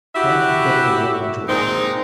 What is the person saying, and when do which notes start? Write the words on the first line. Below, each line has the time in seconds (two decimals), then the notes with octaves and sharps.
Tad picked up the weapon joyfully.
0.16 E4 F#4 G4 E5 F#5
1.49 A#2 G#3 C4 D#4